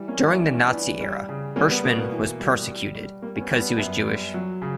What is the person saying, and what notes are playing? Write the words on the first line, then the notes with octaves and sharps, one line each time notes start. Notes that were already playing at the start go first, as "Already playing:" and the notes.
During the Nazi era, Herschmann was persecuted because he was Jewish.
Already playing: E3 G3
A#3 C#4
G3
E4
D4
E3
C#4
E3 B3 D4
G3
C#3
G3 A#3 C#4
B3
B2 A#3
A#3
E3
G3
G3
G3
G3 A#3
C#4
B3
G3
B3
F#2 B3
G3
F#3
C#3